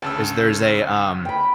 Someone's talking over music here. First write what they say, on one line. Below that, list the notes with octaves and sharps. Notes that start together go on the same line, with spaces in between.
is there's a, um,
D2 C#3 A5 E6
G5 B5